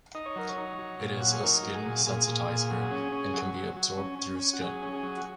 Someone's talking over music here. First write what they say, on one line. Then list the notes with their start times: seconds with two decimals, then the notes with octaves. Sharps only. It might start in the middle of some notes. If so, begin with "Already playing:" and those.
It is a skin sensitizer and can be absorbed through skin.
0.15 D#4 D#5
0.26 C#5
0.36 F#3 A#4
0.49 C#5
0.58 D#4
0.79 F#3
1.00 A#2
1.21 F#3 F#4
1.31 G#4
1.43 D#4 A#4
1.63 F#3
1.74 G#4
1.85 A#2
2.06 A#2 G#4
2.27 A#2
2.49 A#2
2.70 F#3
2.91 C#4
3.12 C#4
3.34 F#3
3.55 F#3
3.76 F#3
3.97 C#4
4.19 C#4
4.39 C#4
4.53 F#4
4.61 F#3 G#4
4.82 C#4
4.93 G#4
5.03 F#3
5.17 F#4